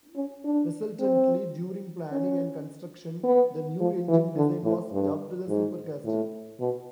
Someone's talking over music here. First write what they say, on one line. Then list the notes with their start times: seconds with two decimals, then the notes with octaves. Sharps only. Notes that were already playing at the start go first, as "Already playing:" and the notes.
Resultantly, during planning and construction, the new engine design was dubbed the "Super-Castle".
0.16 C#4
0.44 D4
1.00 C4
2.12 C#4
3.24 B3
3.80 F3
4.08 E3
4.36 D3
4.64 A2
4.92 G2
5.48 G#2
6.05 A2
6.60 B2